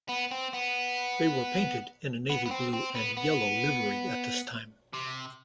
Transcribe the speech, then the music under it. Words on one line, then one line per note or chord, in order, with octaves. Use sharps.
They were painted in a navy-blue and yellow livery at this time.
B3
C4
B3
B3
B3
C4
C4
B3
B3
C3